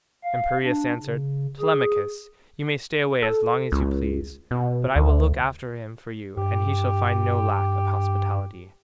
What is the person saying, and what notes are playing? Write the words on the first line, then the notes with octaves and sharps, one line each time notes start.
And Piraeus answered, "Telemachus, you may stay away as long as you please, but I will look after him for you, and he shall find no lack of hospitality."
F5
D4
C#3
G#4
A4
C#2
B2
D2
G2 G4